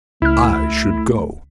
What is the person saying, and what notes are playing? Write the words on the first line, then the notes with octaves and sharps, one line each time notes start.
"I should go."
C#2 A3 E4 F6